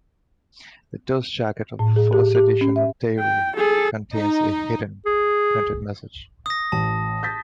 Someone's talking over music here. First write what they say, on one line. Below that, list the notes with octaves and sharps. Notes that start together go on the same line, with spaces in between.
The dust jacket of the first edition of "Diary" contains a hidden printed message.
A2
G#4
G4
G4
C#4
E5
G5
G#4 A4
D#4
G#4
D#6 A#6
A1 A5
G6 A6 B6